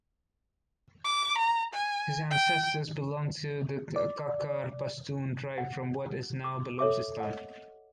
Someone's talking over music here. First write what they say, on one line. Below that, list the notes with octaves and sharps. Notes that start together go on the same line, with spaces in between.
His ancestors belonged to the Kakar Pashtun tribe from what is now Balochistan.
D6
A#5
G#5
G5
D5
F#5
D6
A4 C#5 E5 D6
D#5 F#5